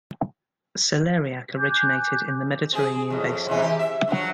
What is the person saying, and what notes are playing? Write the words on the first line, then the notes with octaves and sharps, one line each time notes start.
Celeriac originated in the Mediterranean Basin.
G#5 D6 F#6 G6
C4 G#4
F2 A2
C3 E3 G#3
G4
E5
G2 F3 F#3